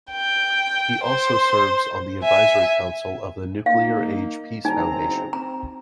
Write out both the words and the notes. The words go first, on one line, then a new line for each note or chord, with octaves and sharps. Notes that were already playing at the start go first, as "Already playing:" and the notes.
He also serves on the Advisory Council of the Nuclear Age Peace Foundation.
G5
C5
E5 G#5
A#3 D#4 F5
F#1 C4 D#4 G#5 A#5
C4 A#5